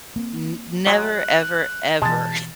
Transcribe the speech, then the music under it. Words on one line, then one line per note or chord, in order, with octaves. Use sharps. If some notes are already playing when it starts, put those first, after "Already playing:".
n never ever, ever
A#3 C4
F#3 G#3 F#6
B2 E3 G#3 A5 A6